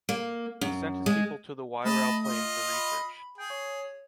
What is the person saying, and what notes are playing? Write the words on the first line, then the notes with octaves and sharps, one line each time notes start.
He sent his people to the Wairau Plain for research.
A#3
F#2
G#3
A3 D#5 A5 B5
F4 D#5
B5
G#4 G5
C#5